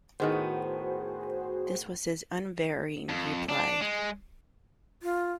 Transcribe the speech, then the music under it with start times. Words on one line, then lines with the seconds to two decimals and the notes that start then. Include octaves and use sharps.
This was his unvarying reply.
0.20 A2 D#3 B3 F#4 G#4 C5
3.09 F2
3.49 D4
3.81 G#3
5.02 F4